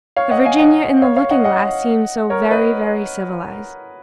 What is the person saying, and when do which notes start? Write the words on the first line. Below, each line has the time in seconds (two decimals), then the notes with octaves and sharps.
The Virginia in the looking-glass seemed so very, very civilised.
0.16 C#5 F5
0.31 D#5 F#5
0.45 F5 G#5
0.59 D#5 F#5
1.02 C#5 F5
1.16 C#5 F5
1.31 D#5 F#5
1.44 D#5 F#5
2.30 A#4 C#5
2.51 B4 D#5